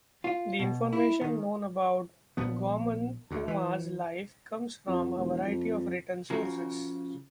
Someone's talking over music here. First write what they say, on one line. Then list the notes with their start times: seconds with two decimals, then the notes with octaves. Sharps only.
The information known about Guaman Poma's life comes from a variety of written sources.
0.24 F4
0.59 B2
0.93 E4
1.21 D#3
2.37 A#1 F3 B3
3.31 D2 D3
3.48 E3
4.87 F2
5.16 E1
5.45 F2
6.30 C#3 F3 F#4 A#4